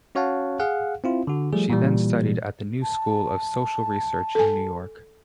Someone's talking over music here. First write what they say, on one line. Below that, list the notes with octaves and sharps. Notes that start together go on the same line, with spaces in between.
She then studied at the New School of Social Research in New York.
C#4 F#4 C#5 F5 F#5 A5
G#4 F5 F#5
C4 E4 F4
D3 F#4
F3 G3 A3 G#4
A#2 E3 G3
A5
A4 G#5